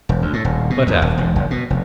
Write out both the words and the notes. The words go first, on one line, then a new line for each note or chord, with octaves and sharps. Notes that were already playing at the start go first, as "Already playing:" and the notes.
But after.
E1
D2
A2
D#1
B2
D#2
D#1
E1
F#1
B2
F1